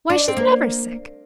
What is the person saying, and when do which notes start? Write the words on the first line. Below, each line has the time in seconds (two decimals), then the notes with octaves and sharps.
Why, she's never sick!
0.10 D4
0.28 C4
0.37 A#3